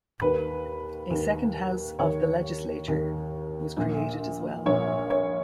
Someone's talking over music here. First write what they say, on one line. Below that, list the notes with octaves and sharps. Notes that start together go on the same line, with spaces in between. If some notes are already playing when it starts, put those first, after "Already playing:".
A second house of the Legislature was created as well.
D#2 D#3 B4
D#2 D#3
D#2 D#3 C#5
D#2 D#3
A#1 A#2
A#1 A#2 C#5
C#5